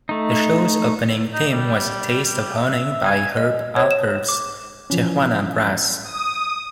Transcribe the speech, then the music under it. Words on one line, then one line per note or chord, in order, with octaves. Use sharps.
The show's opening theme was "A Taste of Honey" by Herb Alpert's Tijuana Brass.
A3 D#4
D#4
G3
G3
E5
G#5
D#5
C#5
E7
D6
E3 F3 C#4
D#6